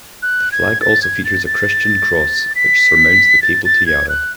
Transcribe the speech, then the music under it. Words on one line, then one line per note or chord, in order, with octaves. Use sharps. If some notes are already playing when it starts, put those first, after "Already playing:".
The flag also features a Christian cross, which surmounts the Papal Tiara.
F#6
G#6
A6
G#6
A6
A6
B6
A6
A6
G#6
F#6